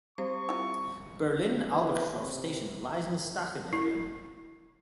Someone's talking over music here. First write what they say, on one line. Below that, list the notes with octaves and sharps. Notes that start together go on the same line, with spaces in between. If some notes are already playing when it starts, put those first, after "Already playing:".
Berlin-Albrechtshof station also lies in the Staaken area.
G3 C4 G4 C5 C#6
E4 F4
E3
C3
E4